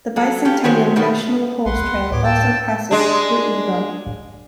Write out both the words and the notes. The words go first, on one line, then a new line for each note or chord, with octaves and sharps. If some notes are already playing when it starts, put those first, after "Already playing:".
The Bi-Centennial National Horse Trail also passes through Ebor.
F#3 A4
C#4 G4
D#3 F#3 G#3 F#4 C5 C#5
B2 D#3 G3 B3
A#1 B4 F#5 C6
D2
A2 B3 C#5 D6
G5 A5 E6
G#3 D4